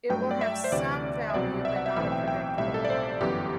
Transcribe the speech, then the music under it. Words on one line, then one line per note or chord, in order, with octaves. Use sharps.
It will have "some" value, but not a predictable one.
G2 F#3 A3 G5
D5
E5
C5
D2 C3 E3 D5
E5
C2 B2 F#3 C4 D5
E5
F#5
E5
B1 A2 E3 A3 C4 E5
G5
G5
B1 A2 G3 C4 E5
A4
D5
C5
G1 F#2 E3 B3 G4